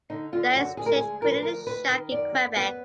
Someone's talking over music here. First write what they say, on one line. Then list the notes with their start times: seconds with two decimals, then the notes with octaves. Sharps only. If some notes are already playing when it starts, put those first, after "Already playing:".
The exchange created a shock in Quebec.
0.10 D3 D#4
0.32 D3 F4
0.54 F#2 F#4
0.77 D2 G#4
0.86 A#4
0.96 G#3 G#4
1.21 F3 A#4
1.31 B4
1.42 D2 A#4
1.66 D#3 B4
1.89 D#3
2.11 F#2 D5
2.34 F#2
2.56 B3 B4